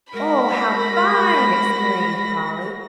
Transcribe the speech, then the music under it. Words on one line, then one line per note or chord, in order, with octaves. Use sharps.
"Oh, how fine!" exclaimed Polly.
G#3 F#4 A#4 B5 A#6